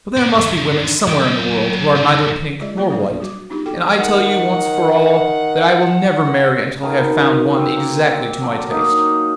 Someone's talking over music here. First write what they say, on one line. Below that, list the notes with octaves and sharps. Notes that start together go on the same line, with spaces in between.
But there must be women somewhere in the world who are neither pink nor white, and I tell you, once for all, that I will never marry until I have found one exactly to my taste.'
A#3 D5
D#3 F#3
D3 D#3
F#3 G5
G3 D#4
G#3 F4 G#4 D5 D#5
F#3 A#3 F4
G3 D4
G3 F#4 D6
B3 D4 D#4 F4 G4
F#4 A4 G5 D6
D#3 F#5
B2 D#3 A#4
C4
A#3
F#3 D4
A#3 D#4 A#5